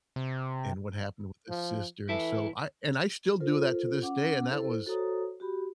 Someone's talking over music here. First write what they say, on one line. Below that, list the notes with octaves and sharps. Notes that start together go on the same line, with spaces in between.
and what happened with his sister, and so, I and I still do that to this day, and that was
C3
F3
E3 E4 A4
F4 A4 A#4 C5
C#4 F#5 D6
E4 A4 C5
F#4 A4 C5 C#5 A#5 D#6
F#4 G4 B5